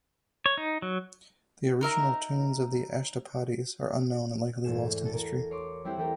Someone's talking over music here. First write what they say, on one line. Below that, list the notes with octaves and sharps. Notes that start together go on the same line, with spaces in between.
The original tunes of the ashtapadis are unknown and likely lost in history.
C#5
D#4
F#3
D#4 A#4 E5 A#5
E2 G#2 A3 G#4 E7
F#4 A4
A4 A#4
C#5 C6 D6
G3 C4 E4 G4 C5 F#5
E3 A3 G4 A#4